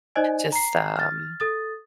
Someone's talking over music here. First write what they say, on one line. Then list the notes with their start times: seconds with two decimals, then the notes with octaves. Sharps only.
just, um,
0.16 D#4 C5 D5 D#5 G#5
0.52 A#5 C7
0.97 F6 A6
1.40 A4 D#6 A6